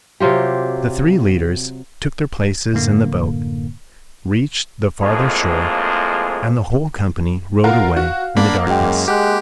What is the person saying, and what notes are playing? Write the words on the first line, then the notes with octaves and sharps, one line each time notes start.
The three leaders took their places in the boat, reached the farther shore and the whole company rode away in the darkness.
C3 F#3 F4 G4
F#2 A2 D3 A#3
F2 A2 F3 G#3 A#3 G#4
F4 A#4 F5 F#5
F#4
A#3 D4 B5
F#2 G#3 F#4 F#5 G5
G#3 G4 F#5 F#6